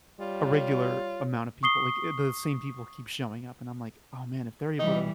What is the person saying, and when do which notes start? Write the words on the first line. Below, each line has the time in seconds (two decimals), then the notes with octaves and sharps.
a regular amount of people, like, i the same people keep showing up, and I'm like, "Oh, man. If they're able to
0.20 G3 F4 C#5
1.63 C#6 D#6 C7 G7
4.79 E3 G3 D#4